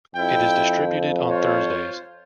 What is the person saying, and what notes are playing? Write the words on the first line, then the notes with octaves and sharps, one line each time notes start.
It is distributed on Thursdays.
F2 E4 G5
F4 C5 C#5